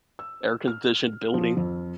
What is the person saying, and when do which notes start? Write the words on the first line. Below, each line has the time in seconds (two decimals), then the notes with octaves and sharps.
air conditioned building.
0.19 E6
0.68 F6
1.34 F3
1.57 F2